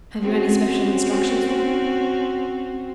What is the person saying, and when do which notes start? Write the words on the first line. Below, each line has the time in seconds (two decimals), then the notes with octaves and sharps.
"Have you any special instructions for me?"
0.22 C4 C#4 F#4